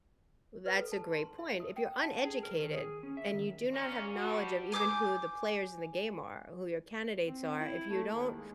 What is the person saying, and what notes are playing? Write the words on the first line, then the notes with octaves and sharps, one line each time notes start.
That's a great point. If you're uneducated and you do not have knowledge of even who the players in the game are, who your candidates are, if you don't
B4
A4
A5
C6
E5
D#6
G5
A5
G#4
A#4
D#3
G#4
C#4
E5
D#3
A#2 C#4
G2 G3 F#4
G#5 D6 D#6 G6
C4
E4
A3
D#2
G#3